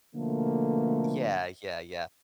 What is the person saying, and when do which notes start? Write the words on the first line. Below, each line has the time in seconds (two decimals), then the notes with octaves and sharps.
Yeah, yeah, yeah.
0.16 B2 D3 F3 A3 A#3